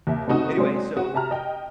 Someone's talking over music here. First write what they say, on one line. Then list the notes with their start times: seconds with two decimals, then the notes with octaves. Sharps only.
anyway, so,
0.07 D#2 E5
0.27 F#1 A3 C4 D#4 F#4 D#6
0.57 F#3 G#3 C4 D4 C5
0.97 F#4
1.14 G4 E5 A5 A#5 F6
1.31 D#5 G5